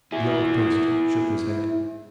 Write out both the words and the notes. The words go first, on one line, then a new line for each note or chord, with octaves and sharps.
The old priest shook his head.
E4 G#4